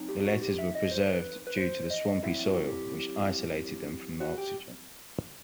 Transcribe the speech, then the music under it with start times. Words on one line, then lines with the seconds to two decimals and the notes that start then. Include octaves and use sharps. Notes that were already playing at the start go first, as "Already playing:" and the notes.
The letters were preserved due to the swampy soil which isolated them from oxygen.
Already playing: F#3 C4 D#4
0.09 G4
0.25 F#4
0.42 G4
0.59 E5
0.75 D#5
0.91 C5
1.07 C5
1.14 B4
1.47 B4
1.57 C5
1.90 D#5
2.23 F#3 C4 E4 E5
2.45 F#4
2.67 G4
4.21 F#4
4.38 G4